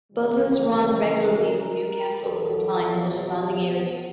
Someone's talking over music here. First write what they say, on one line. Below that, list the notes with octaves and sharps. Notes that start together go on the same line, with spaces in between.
Buses run regularly from Newcastle upon Tyne and the surrounding areas.
F2 C#3 E3 G3
A#4
A#4
E2 B2 F#3 A4
G#4
G4
F#4